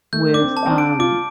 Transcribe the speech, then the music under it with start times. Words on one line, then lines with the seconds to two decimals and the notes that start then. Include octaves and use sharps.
with, um
0.13 A3 G6
0.33 D4 D6
0.42 C4
0.57 A5
0.66 C4
0.70 D4
0.78 D7
0.99 F4 D6